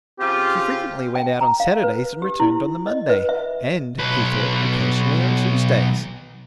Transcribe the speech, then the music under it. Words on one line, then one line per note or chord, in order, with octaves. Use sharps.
She frequently went out on Saturdays and returned on the Monday and, he thought, occasionally on Tuesdays.
C#3 C4 F4 G4
G5
A#5
F5
B4
G4
E4
D#5
B4
E5
B1 B4